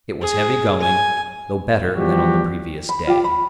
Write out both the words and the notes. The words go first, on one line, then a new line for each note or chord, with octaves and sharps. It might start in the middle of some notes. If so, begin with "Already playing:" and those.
It was heavy going, though better than on the previous day.
G#4
G#5
E2 F3 G3 F#4 G4
B5
F4 G4
B5